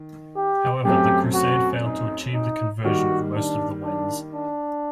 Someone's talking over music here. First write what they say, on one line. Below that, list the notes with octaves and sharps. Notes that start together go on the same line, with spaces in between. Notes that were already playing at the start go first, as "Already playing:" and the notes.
However, the crusade failed to achieve the conversion of most of the Wends.
Already playing: D#3
G4
F#2 F#3 A3 C4 G4
F#4
D#4
D#4
D#3 G3 A#3 F#4
D4
D4
D4